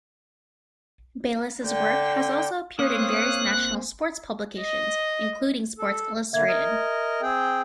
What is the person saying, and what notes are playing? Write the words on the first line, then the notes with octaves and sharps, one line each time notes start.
Bayless's work has also appeared in various national sports publications, including "Sports Illustrated".
D3 G5
A#3 C4 C#5 F5 D#6 F#6
D#5
A4
D3 A#3 E5 G#6
A#4 D#5
C4 G#4 G5